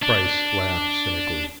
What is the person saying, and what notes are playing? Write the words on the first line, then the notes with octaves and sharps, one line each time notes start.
Bryce laughed cynically.
D4